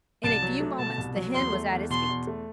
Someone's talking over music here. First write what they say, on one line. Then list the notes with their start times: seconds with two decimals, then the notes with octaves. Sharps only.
In a few moments the hen was at his feet.
0.24 C2 A5
0.43 F#3
0.60 A3
0.79 B2 A5
0.98 C2
1.16 F#3
1.34 E2 C6
1.53 A3
1.72 E2
1.90 B2 C6
2.09 E2
2.27 A3